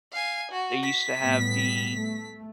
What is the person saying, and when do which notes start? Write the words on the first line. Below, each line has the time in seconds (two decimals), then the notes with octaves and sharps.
they used to have the,
0.13 F5 G#5
0.51 F#4
0.83 B6
1.18 A2 G3 B3
1.93 A3